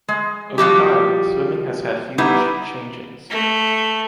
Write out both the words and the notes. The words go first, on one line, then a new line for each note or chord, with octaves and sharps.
Over time swimming has had huge changings.
G#3
F3 G3 F#4 G4
G3 B3 D#4 E4
A3